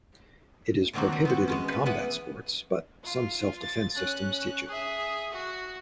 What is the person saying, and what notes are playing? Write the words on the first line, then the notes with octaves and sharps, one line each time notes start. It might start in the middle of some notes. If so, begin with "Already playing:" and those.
It is prohibited in combat sports, but some self-defense systems teach it.
D3 D#3 F#3 A#3 C4 F#4
F#3
B3 C4 F#4
G#3 B3 C#4
B2 B4
E3 B3 F#5 G#5
F4
A6
C#4 F#6
G#4 E5
F#4